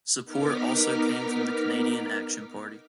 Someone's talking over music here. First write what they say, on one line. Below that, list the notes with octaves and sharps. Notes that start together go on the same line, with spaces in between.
Support also came from the Canadian Action Party.
B3 D#4 A#4 D6 F6 B6